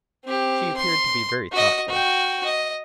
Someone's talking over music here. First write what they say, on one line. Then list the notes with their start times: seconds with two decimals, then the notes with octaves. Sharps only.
She appeared to be very thoughtful.
0.24 C4 G4
0.76 C6
1.52 F#4 D#5
1.88 F#4 G5
2.45 D#5